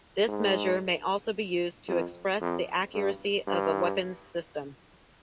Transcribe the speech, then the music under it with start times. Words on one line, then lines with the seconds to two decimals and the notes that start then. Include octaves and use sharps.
This measure may also be used to express the accuracy of a weapon system.
0.28 G#2
1.88 F2
2.41 F2
2.94 G2
3.47 G2